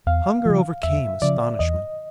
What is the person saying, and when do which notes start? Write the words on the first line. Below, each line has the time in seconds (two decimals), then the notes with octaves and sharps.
Hunger overcame astonishment.
0.06 E2 F5
0.45 C#3 F3
0.83 E2 E5
1.21 C#3 F3 D5
1.59 E2 D#5